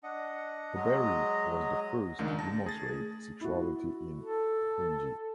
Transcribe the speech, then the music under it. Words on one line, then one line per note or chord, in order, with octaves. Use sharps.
De Bary was the first to demonstrate sexuality in fungi.
D4 D#5 F#5
F#3 G#3 D#5 A#5
C#2 D#3 A3 D4
A5 A#6
G#4 A6
E4 F#4
A4